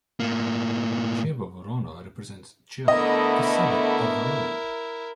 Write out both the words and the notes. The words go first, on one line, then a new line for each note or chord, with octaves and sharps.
Chievo Verona represents Chievo, a suburb of Verona.
A2 A#3
D3 A3 B3 E4 A#4 D#5